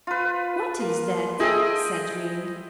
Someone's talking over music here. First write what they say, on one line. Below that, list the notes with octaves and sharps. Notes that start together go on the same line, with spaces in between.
'What is that?' said Ring.
F4 B4
A#3
E4 G#4 A4 D#5 G5